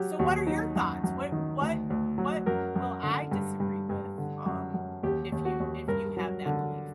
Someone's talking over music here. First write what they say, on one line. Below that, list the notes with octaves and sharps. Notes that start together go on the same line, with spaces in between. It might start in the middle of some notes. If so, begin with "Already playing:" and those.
so what are your thoughts? What what what will I disagree with, um, if you if you have that belief?
Already playing: F#3 G4
D#2 F#4
F#3 D#4
F#2
F#2
D#3
D2
D2
F#3
F#2 A#4
F#2
D3
G2
G2
G2
D3
F#2
F#2
D#2 G4
D#2
F#4
D#2
G2 A#4
F#3
D3